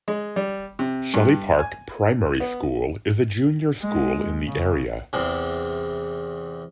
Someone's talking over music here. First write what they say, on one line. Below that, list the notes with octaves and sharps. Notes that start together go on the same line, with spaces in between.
Shelly Park Primary School is a junior school in the area.
G#3
G3
C3
G2
G#5
B3
G#3
C#3
E2 C3